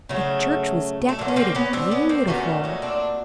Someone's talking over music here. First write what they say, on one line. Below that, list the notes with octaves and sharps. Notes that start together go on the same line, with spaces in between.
The church was decorated beautiful.
C#3 F#3 A3
A3
A#2 F#3 A3 A#3
C#4
A#3 C4
B3 C#4
C4 D4
B3 C#4
A#3 C4
A#2 F#3 A3 B3 C#4
C#4 D#4
C4 D4